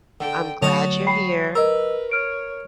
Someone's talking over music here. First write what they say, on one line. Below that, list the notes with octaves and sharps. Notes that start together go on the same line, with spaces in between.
I'm glad you're here.
D3 G5
D3 F#3 A3 F#4 C#5 D#5 A5 F7
G5 B5 C7
A#4 B4 D#5 E6
C#5 F6 D7